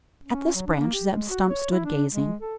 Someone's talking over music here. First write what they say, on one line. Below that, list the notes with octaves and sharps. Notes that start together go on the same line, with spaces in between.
At this branch Zeb Stump stood gazing.
C#4
F#3
D4
A#3
G4
G#3
F#4
C#5
E4
D4
G#3
A4